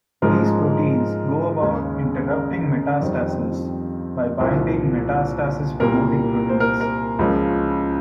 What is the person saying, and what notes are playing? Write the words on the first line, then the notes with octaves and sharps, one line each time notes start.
These proteins go about interrupting metastasis by binding metastasis-promoting proteins.
G#2 F3 G#3 C#4 A#4
D#2 C#3 G#3 C#4
A#4
F2 D#3 G3 C4
C2 A#2 F3 A#3 C5
C2 A#2 G3 A#3 A#4
C5
A#4
A#4
C#2 C#3 F3 G#3 C#4